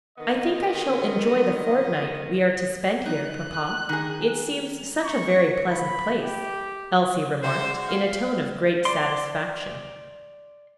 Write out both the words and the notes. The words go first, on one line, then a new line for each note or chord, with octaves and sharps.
"I think I shall enjoy the fortnight we are to spend here, papa; it seems such a very pleasant place," Elsie remarked, in a tone of great satisfaction.
D3 D#3 B3 D#5
D#4 F#6
D#3 G#4
C#6
B5
G4
G#3 F#4 C5 D5
F5
D5 C6